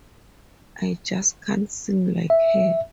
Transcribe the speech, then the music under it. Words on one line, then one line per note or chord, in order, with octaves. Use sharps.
I just can't sing it like her.
E5